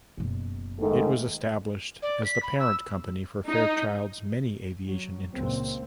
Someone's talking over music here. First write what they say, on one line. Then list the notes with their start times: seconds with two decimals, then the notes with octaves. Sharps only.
It was established as the parent company for Fairchild's many aviation interests.
0.17 F#1 B2
0.80 G#2 D#3 A3
2.02 D5
2.25 B6
2.43 B5
2.59 E6
3.48 D#4
4.88 F#3
5.33 C#2 A#2 A#3 C4